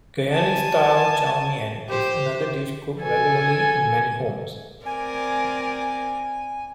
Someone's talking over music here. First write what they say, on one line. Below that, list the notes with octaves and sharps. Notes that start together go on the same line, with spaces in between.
Guyanese-style Chow Mein is another dish cooked regularly in many homes.
G#5 A5
G4 C5
A4 G#5
C4 A#4 D5 G#5